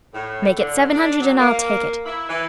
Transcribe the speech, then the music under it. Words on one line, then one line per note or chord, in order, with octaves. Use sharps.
"Make it seven hundred and I'll take it."
A2
D3
D4
F#3
A#3
E4
E3